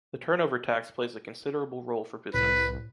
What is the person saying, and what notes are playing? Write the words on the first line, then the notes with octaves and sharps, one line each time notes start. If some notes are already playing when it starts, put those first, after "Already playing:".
The turnover tax plays a considerable role for business.
C2 A2 B4